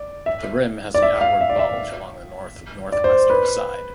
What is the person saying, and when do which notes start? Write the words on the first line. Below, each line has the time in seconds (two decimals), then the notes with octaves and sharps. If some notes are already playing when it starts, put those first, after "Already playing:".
The rim has an outward bulge along the north-northwestern side.
Already playing: D5
0.26 E5
0.94 D5
1.02 E5
1.21 F5
1.41 E5
1.49 D5
1.59 E5
2.92 D5
3.04 C5
3.30 B4